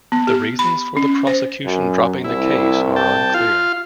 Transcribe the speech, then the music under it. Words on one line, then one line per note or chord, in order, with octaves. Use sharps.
The reasons for the prosecution dropping the case are unclear.
B3
G4
B5
C#4
C5
F#2
C2 E4
G5 A5
F4 F5